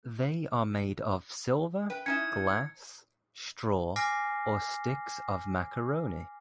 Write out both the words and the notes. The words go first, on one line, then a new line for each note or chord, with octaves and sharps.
They are made of silver, glass, straw, or sticks of macaroni.
B4 G5
C#4 D#4 E4 G#6 C#7
G#5 D6 F6 A#6 C7